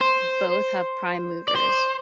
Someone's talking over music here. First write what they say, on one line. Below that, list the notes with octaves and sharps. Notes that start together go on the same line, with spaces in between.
Both have prime movers.
C5
D5
C5